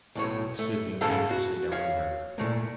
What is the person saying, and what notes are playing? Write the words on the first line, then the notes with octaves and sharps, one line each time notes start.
He stood looking anxiously down on her.
B1 A2 C#5
A3
G#2 C#3 A#3 A4 F5
F#4
C#5 F5
A#2 A3 A#3